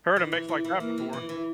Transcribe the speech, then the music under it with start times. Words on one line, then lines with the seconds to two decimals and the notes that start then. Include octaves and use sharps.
heard a mix like that before.
0.16 E3
0.32 E3
0.49 E3
0.64 E3
0.80 A#3
0.98 E3
1.13 E3
1.29 E3